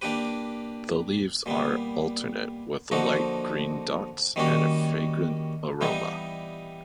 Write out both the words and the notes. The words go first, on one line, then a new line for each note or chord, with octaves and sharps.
The leaves are alternate, with light green dots and a fragrant aroma.
A#3 D4 G4 B4
A#2 G3 B3
D3 F3 A#3 D#4 F#4
D#3 G3 A#3 C#4 F#4
E3 G3 B3 D#4